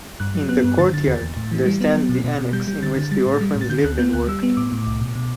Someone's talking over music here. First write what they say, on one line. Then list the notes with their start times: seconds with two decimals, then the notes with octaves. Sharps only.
In the "Courtyard" there stands the annex in which the orphans lived and worked.
0.20 G2 F#6
0.35 F#3
0.49 B3 F#6
0.64 G2
0.78 D3 A6
0.93 D3 A6
1.07 E2
1.22 E2
1.37 A2
1.51 E3
1.66 G3
1.81 B3
1.95 F#3
2.09 B2
2.24 B2
2.39 B2
2.53 G3 G6
2.68 G3
2.82 D3 A6
2.97 D3
3.12 G3 A6
3.26 A2
3.41 G3
3.55 A2
3.61 A6
3.69 D3 G6
3.84 D2 F#6
3.99 B3 G6
4.13 D2 F#6
4.28 G3 E6
4.43 B3
4.57 A2 D6
4.72 A2
4.87 C2
5.01 B2
5.15 B2